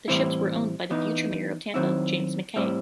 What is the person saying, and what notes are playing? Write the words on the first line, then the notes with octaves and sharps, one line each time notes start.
The ships were owned by the future mayor of Tampa, James McKay.
A2 E3 G3 C4 E4
E3 B3 D#4
D#3 F#3 C4 E4
A2 G3 C4 E4